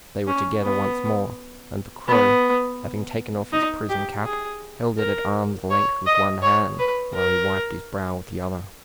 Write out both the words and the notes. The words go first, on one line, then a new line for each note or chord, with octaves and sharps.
They were together once more, and the Crow, having taken off his prison cap, held it at arm's length with one hand, while he wiped his brow with the other.
C#4
B3
B3
D#4
G4
G#4
A#4
C#5
D#5
C#5
B4
A#4